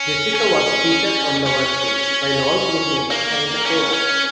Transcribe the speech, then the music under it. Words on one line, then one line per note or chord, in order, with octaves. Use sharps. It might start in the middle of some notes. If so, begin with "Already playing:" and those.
Jessica was featured on the verses while all group members sang the chorus.
Already playing: C#4
C#4
C#4
A#3
C#4
C#4